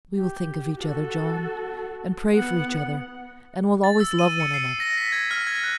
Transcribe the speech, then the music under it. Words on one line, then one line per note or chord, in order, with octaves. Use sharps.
We will think of each other, John, and pray for each other; and will always love one another.
G4
F#4 A4
B3 F#5
A6
E6
D#7
C#7
C7
A#6
B6
G#6
F6
G#6
F#6